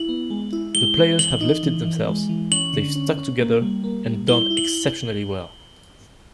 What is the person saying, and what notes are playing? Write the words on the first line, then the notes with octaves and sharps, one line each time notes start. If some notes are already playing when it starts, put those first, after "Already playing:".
The players have lifted themselves - they've stuck together and done exceptionally well.
Already playing: E4 F#7
B3
G#3
E4
G#3 G7
C4
E3 F#7
D#4
E3
E3
G#3
E3
C#4 F#7
D3
C#4
C#4
A#3
G3
A#3
G3
E4 G7
E4
F#7